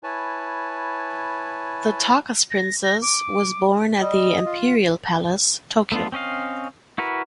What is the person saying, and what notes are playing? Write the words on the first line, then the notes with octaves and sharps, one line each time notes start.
The Taka’s Princess was born at the Imperial Palace, Tokyo.
E4 B4 C#5 G#5 A5
A#6
A#6
D6
G3 D#5
F4
A3 B3 D4 F4
C4 C#4 D#5 F5
E4 F#4 A#4 B4